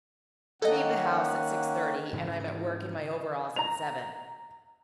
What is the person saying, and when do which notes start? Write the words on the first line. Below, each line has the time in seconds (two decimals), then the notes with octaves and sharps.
I leave the house at six-thirty, and I'm at work in my overalls at seven.
0.62 D#3 A#3 C#4 A4 D#5 F#5
2.13 G#2 C#3 E3
3.56 A#5 F7